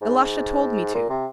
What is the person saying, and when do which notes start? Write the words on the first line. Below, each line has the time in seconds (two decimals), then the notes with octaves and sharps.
Ilusha told me to.
0.02 G#2
0.94 A#2
1.09 C3